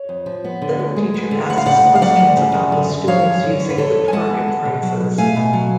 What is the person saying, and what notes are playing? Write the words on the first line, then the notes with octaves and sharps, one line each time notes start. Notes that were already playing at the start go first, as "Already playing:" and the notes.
Then the teacher asks questions about the students using the target phrases.
Already playing: C#5
F2
F3
B3
D3
D2
G#3
B3
D3
D2 F#5
F5
C#3 D5 F#5
D2
F5
F#3 D5 F#5
D2
C#3
F#2
D3
F#2
F3 C#5 F5
F#2
D3
B3 C#5
B4
D3 A4 C#5
F2
G#5
G#3 F#5 A5
B3
D3
B2
F#3
B2
A3 F5 G#5
B2
F#3